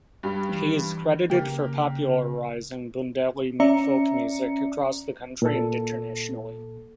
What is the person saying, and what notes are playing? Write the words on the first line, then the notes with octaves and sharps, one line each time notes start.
He is credited for popularizing Bundeli folk music across the country and internationally.
G2 G3
E3
C#3 A#3 G4
C#4 D5 E5 A#5 C#7
A#2 A4